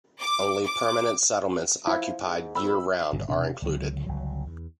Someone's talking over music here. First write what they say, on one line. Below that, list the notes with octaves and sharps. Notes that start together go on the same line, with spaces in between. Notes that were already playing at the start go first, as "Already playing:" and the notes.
Only permanent settlements occupied year-round are included.
D6
D6
F3 E4
G#2
F2 B5 E6
G1 A#2 C#3
E1 C3 D4
C#2 D3 F#3
G1 C#2 F#3
E2